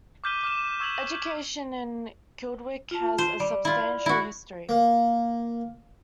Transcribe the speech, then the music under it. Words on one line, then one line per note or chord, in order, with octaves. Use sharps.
Education in Kildwick has a substantial history.
D6 F6 G6 B6 D#7 G7
D6 F6 D#7 E7
C#6 E6 G#6 B6 F7 F#7
G6
F4 A5
C5
G3 D5
E4 F4
E4 F#4
A#3